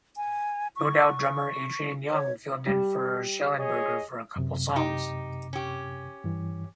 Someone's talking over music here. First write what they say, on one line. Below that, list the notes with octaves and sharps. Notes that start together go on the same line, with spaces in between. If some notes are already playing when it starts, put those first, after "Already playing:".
No Doubt drummer Adrian Young filled in for Shellenberger for a couple songs.
G#5
C#6
C#5
G3
G#4 C#5 D#5
F#2 C3
D#4 G4
C#4 G4
G2 E3